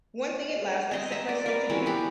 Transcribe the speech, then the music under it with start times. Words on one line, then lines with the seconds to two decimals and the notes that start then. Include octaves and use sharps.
One thing at last I set myself to do.
0.91 C4 D#5 G#5
1.08 E5 A#5
1.29 D5
1.46 A#4 B4
1.70 E3 C4 C#4 F#4
1.86 B3 G4 B5